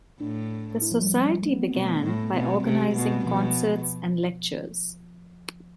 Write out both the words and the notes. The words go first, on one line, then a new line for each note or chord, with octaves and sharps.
The Society began by organising concerts and lectures.
A2 D4
E4
F3
G3
F3
G3
A3
B3
C4
B2 C4
A3
G3
A2 G3
A3
B3
B2 C4
B3
G3
C3
G3
B2 A3
C4
G3
B2 F3